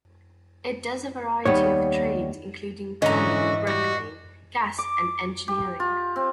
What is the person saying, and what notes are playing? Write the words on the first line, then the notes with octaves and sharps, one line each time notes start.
It does a variety of trades, including plumbing, brick laying, gas and engineering.
D#2 G3 B3 C#5
G#2 D3 E3 C#4 F#4 D#5 A#5
G3 F#4
D6
G4
F4
C4